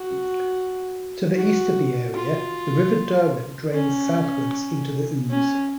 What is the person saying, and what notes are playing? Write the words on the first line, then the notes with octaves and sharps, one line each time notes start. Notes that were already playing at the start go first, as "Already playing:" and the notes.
To the east of the area the River Derwent drains southwards into the Ouse.
Already playing: F#4
F#4
F4
C#4
C#4